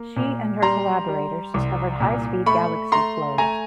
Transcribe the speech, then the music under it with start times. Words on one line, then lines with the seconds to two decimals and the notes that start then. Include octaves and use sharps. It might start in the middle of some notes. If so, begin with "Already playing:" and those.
She and her collaborators discovered high-speed galaxy flows.
Already playing: A#3
0.16 A#2
0.62 G3 A#5 C6
1.08 G3
1.54 C2
2.00 A#2
2.46 A3 B5 C#6
2.92 A3 A#5 C6
3.38 A3 G#5 A#5